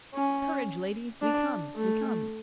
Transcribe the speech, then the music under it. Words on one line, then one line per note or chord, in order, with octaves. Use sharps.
"Courage, lady; we come! we come!"
C#4
D4
A3